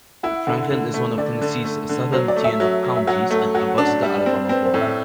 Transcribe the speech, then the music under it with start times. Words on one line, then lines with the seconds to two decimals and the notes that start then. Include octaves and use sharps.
Franklin is one of Tennessee's southern tier of counties and abuts the Alabama border.
0.23 E4 F#5
0.47 D3 F#5
0.70 D3
0.94 A3
1.18 D3 D5
1.42 D3
1.65 A3
1.89 D3
2.13 F#3 C5
2.28 D5
2.36 A3
2.44 E5
2.60 F#3
2.84 F#3
2.96 E5
3.07 F#3 F#5
3.31 A3
3.54 F#3 F#5
3.78 D4
4.02 G3 E5
4.18 D5
4.26 C4
4.34 C5
4.49 C4 B4
4.65 C5
4.74 A2
4.81 E5